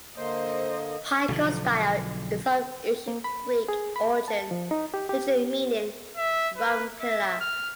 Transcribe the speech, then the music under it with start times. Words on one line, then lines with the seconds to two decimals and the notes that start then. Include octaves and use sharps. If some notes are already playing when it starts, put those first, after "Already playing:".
"Pygostyle" is of Ancient Greek origin, literally meaning "rump pillar".
0.16 D3 A#3 C5 D#5
1.28 B1 D3 F3
3.08 A#3
3.24 B5
3.68 G#4
3.96 B5
4.28 A5
4.51 F3
4.71 D#4
4.94 G4
5.09 G4
6.17 E5
6.57 B4
7.01 E5
7.41 F6